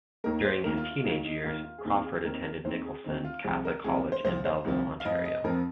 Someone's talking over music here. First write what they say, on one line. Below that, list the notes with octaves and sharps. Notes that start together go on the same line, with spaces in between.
During his teenage years, Crawford attended Nicholson Catholic College in Belleville, Ontario.
D#2 D#3 A#3 A#4
C5
D#2 D#3 A#3 A#4
F4
F4
D#2 D#3 A#3 F4
D#4
D#2 D#3 A#3 F4
F4
G#4
D#2 D#3 C4 F4
F4
G#4
D#2 D#3 C4 A#4
A#4
D#2 D#3 C4 C5
G#4
D#2 D#3 C4
F4
C2 C3 F3 G#4
A#4
C2 C3 F3 G#4
C5
C2 C3 F3 C5
C5
C2 C3 F3
F5
F2 F3 C4 D#5
D#5
F2 F3 C4 A#4